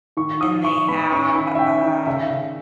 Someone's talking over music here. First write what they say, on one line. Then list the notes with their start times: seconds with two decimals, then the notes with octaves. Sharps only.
And they have, um
0.17 D#3 C#6
0.41 D#3 D#6
0.64 D#3 C#6
0.88 B3 B5
1.12 C#4 C#6
1.35 D#3 B5
1.55 E5
1.59 C#4 G5
1.83 D#3
2.07 C#3 E5
2.30 C#3